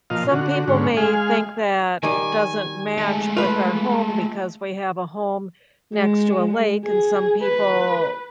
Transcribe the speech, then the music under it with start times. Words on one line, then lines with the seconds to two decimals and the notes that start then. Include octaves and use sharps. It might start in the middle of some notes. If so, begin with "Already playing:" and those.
Some people may think that doesn't match with our home because we have a home next to a lake, and some people
0.10 A#2 F3 D#5 F5
0.31 D3 F#4
0.68 G#2 D3 C#4
0.97 G#3 G#4 F5
2.03 D#3 G3 G#5
2.98 G#3 A3
3.37 F4 B4
5.94 G#3
6.86 G#4
7.42 B4